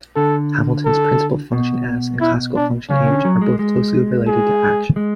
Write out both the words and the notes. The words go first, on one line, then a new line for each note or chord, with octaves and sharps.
Hamilton's principal function "S" and classical function "H" are both closely related to action.
D3 A4
A4
B2
E4
D4
C#3 C#4
D3
F#3
G#3
G#3
G#4
G#3